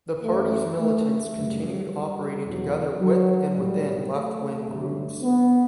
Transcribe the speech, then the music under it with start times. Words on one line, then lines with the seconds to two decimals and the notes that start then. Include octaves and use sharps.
The party's militants continued operating together with and within left-wing groups.
0.24 F#2 E3 A3
0.79 A3
1.35 F#2 C#3 F#3 G3
2.46 E2 B2 F#3
3.01 F#3
3.56 A2 F#3 G3
4.12 A3
4.67 G2 D3 F#3
5.22 B3